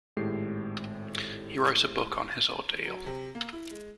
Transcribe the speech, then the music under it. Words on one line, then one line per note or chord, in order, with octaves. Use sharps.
He wrote a book on his ordeal.
G#1 A2 G#3 G4 C7
F#3
C3
A#3
E4
G#3